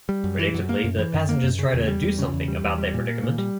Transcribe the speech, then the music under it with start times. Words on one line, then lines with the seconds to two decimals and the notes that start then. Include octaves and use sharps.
Predictably, the passengers try to do something about their predicament.
0.09 G3
0.24 F#2
0.39 E3
0.54 F#2
0.69 A#3
0.84 F#2
0.99 E3
1.14 F#2
1.29 A#3
1.44 F#2
1.59 C#3
1.74 E2
1.88 G3
2.03 E2
2.19 C#3
2.33 E2
2.48 G3
2.64 E2
2.78 G3
2.94 A#2
3.08 A#3
3.24 A#2
3.38 G3